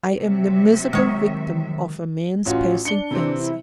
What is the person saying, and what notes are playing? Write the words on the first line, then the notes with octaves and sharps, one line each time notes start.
I am the miserable victim of a man's passing fancy.
C3 F#3 E5
D#3 G#3 C#5
A1 C#4 F4 F#4
D4 C#7 G7
C3 E3 C4
E4